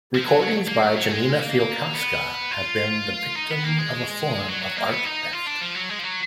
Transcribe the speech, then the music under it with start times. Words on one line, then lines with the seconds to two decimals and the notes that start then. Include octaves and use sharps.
Recordings by Janina Fialkowska have been the victim of a form of art theft.
0.15 F3
0.26 F#3
0.40 F#3
0.68 A#3
0.82 F#3
0.97 F#3
1.10 G#3
1.39 A#3
1.94 B3
2.51 F4
3.35 D#4
3.51 B3
3.64 A#3
3.78 G#3
4.49 F#3
4.63 F#3
4.77 A#3
4.91 B3
5.05 D#4
5.33 F4
5.47 D4
5.62 F3
5.75 F#3
5.90 G#3
5.99 F3
6.03 F#3